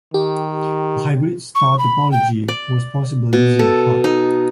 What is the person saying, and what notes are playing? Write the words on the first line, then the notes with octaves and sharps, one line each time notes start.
A hybrid star topology was possible using a hub.
D#3 G4
C#6
B5
G5
D5
B2
A4
D#4